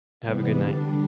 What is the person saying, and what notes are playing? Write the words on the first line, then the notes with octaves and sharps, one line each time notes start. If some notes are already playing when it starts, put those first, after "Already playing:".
Have a good night.
C3 E3 G3 B3
D3 G3 D4